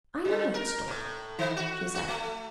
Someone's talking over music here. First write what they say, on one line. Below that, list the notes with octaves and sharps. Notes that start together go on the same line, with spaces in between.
"I know that story," she said.
G2
A#4
A2
D#3
F#4
F#4
A3